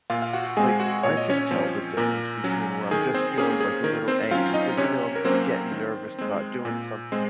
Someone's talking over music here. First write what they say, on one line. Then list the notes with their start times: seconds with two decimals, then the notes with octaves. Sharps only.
Like, I can tell the difference between where I'm just feeling, like, a little anxious, like, you know, I'm getting nervous about doing something
0.10 A#2 F4 F5
0.22 F5
0.33 F#4 F#5
0.57 G#3 C4 G#4 G#5
0.80 F#4 F#5
1.03 A#2 C#5
1.17 D#5
1.30 C#4 C#5
1.51 F3 C4
1.97 A#2 A#4
2.44 F#3 C#4
2.91 D#3 G#4
3.14 C4 C5
3.38 A#3 C#4 G#4
3.60 G#4
3.84 D#3 A#4
4.08 C4 C5
4.31 F#3 C#4 F4 F5
4.54 D#4 D#5
4.77 C3 C#4 C#5
5.16 A#4
5.24 F#3 A#3 C4 C#4 C5
5.72 D#3
6.19 G#3 C4
6.65 A#2
7.12 G#3 C4